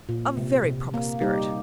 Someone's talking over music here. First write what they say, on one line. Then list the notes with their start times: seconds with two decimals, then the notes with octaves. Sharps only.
A very proper spirit!'
0.09 A#2
0.37 C3
0.65 C3
0.94 A#3
1.21 G3 D#4 G4